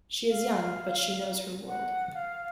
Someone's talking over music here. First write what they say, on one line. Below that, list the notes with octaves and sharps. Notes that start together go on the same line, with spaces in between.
She is young, but she knows her world.
F5
F#5
F5